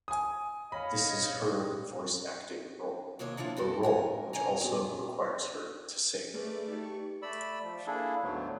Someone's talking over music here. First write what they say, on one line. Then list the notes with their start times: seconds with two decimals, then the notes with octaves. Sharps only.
This is her voice acting role, a role which also requires her to sing.
0.08 G#5 D#6
0.72 C#5 D#5 F5 B5
3.19 D#2 C3 A#3 C#5 D#5
3.37 A#2 F3 D4 E4 F4
3.57 E4 F#4 A4
3.83 F2 A#4 G#5
4.33 C#5 D#5 G#5 A#5
4.61 F3 F#3 B3
6.34 A3 G#4 B4 D5
6.68 D#4 G4
6.83 C#6
7.22 A3 D5 B5 E6
7.63 F3
7.87 A#3 D4 E4 G#4 A4
8.23 D2 G#2 D3 F#3 A3 B3